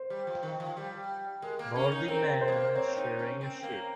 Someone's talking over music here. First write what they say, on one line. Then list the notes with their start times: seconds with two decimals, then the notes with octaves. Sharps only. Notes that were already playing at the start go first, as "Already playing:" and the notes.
Balding man shearing a sheep.
Already playing: C5
0.10 G3
0.27 F3
0.43 D#3
0.60 F3
0.77 G3
1.42 G#3 A#4
1.59 A#3
1.76 C#4
1.92 D#4
2.08 C4 A#4
2.41 C5
2.48 G#3
2.52 A#3
2.75 C4 C#5
2.97 D#4
3.19 C#4
3.41 C4
3.63 A#3